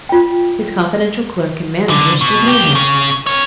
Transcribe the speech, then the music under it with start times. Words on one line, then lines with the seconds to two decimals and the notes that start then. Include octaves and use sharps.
His confidential clerk and manager stood near him.
0.09 F4 G5
1.88 F#2 D3
2.21 B2
2.48 A#3 G4
2.75 C#3
3.26 A#4 C#5